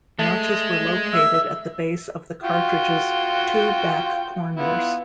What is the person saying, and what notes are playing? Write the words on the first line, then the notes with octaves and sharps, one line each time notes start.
Notches were located at the base of the cartridge's two back corners.
G#3 A3
E5
F4 F#4 G5
B3 E4 F4